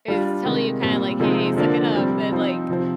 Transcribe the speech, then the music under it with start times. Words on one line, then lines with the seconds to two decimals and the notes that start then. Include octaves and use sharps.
is telling you, kinda like, "Hey, suck it up." Then, like
0.08 G3 D4 F4
0.45 C3 D#3 G#3
0.82 A#2 G3 C4
1.20 C3 F3 G#3 C4 D#4
1.57 D3 F3 A#3 D4
1.94 C3 G3 C4
2.31 F3 C4 D#4
2.69 C3 F3 C4